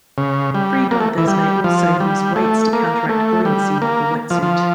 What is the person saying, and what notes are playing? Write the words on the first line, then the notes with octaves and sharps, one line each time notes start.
Free divers may also use weights to counteract buoyancy of a wetsuit.
C#3
G3
A#3
A3
E3
G3
F3
G3
A3
A#3
A3
G3
A#3
F3
F3